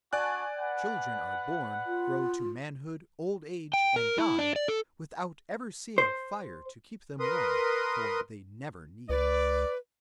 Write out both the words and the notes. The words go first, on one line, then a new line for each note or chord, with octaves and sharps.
Children are born, grow to manhood, old age, and die without ever seeing fire to keep them warm for they never need it.
D4 F#4 D5 G#5 A5 F#6
B4 F#5
F4
G5
A#4
E4
D4
D5
A4
C5
A#4 B4 C6 D#6
C#2 B4 D5